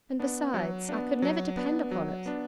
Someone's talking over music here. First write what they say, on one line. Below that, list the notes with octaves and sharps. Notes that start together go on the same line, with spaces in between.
And besides, I could never depend upon it.'
B3 D4
F#3
B3 D4
F#3
B3 D4
F#3
B3 D4